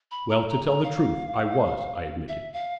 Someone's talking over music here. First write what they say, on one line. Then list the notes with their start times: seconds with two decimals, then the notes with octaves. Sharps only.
"Well, to tell the truth, I was," I admitted.
0.11 B5
0.29 A#5
0.48 A#5
0.65 A#5
0.84 F5
2.28 E5
2.53 F5